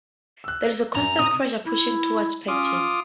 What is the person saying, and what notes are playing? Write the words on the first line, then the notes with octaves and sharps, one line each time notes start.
There's a constant pressure, pushing toward pattern.
E6 F#6
F#2 A#5
C3 D#6
E4
C#4 F4 D6 D#6